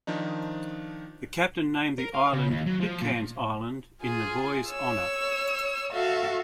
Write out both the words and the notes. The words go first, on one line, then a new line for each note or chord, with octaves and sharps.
The captain named the island Pitcairn's Island in the boy's honour.
D#3 F3 D4 D#4
A#4
F5
C#3
D#2
F#3
F3
A#2
F4 G#4 G#5
C#5 E6
F#4 A4 E5 F5